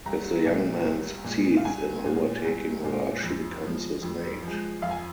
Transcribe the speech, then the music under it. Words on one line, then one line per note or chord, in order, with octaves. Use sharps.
If the young man succeeds in overtaking her, she becomes his mate.
C2 A#5
A#2 G#3
C2
A#2 G#3
F5
C2 G#5
A#2 G#3
C2
A#2 G#3
F2
F3 G#3
F2
F3
G#3
F2 F5
G#5